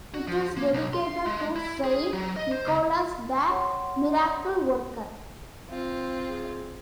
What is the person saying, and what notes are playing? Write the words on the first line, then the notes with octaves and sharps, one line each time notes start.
It is dedicated to Saint Nicholas the Miracle-Worker.
F#4
F3
A#3
B1
C6
G#3
E4
G#4
F#3
D#5
C5
C#2
C#5 F#5 G5 C6
C4 F4
G#4